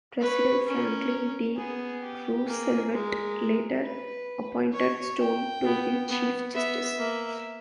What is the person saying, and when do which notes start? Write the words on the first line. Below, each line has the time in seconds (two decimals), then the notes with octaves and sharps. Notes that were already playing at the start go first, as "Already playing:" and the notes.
President Franklin D. Roosevelt later appointed Stone to be chief justice.
0.21 B4 C#5
0.66 C#4 A#4
1.57 B3 G#4
2.02 G4
2.47 A#3 G#4
2.92 G#3 A#4
3.82 B4
4.73 C#5
5.18 G5
5.64 B3
6.09 B3
6.54 B3 E5
6.99 A#3 E5